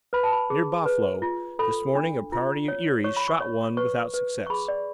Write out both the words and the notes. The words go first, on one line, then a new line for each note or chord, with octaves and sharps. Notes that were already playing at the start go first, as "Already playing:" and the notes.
Near Bah-flo this morning a party of Eries shot one without success.
B4 B5
A5
B5
G#4
B4
F4
A4 B5
D4
F4
C#5
C#5 C#6
B5
C#6
C#5
B4 C#6
B4
C#6
G#4 B5
D5